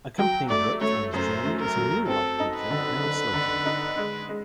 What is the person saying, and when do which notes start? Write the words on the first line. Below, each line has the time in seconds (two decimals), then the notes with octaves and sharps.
Accompanying Wik on his journey is a mule-like creature named Slotham.
0.18 F#3 G5
0.49 A3 D5
0.81 A3 C#5
1.13 F#2 C5
1.45 A3
1.60 A#4
1.76 F#3
2.08 C4 A4
2.40 D#4
2.55 B4
2.70 D3
3.03 D3
3.34 D3
3.65 D#4
3.97 G#3
4.29 G#3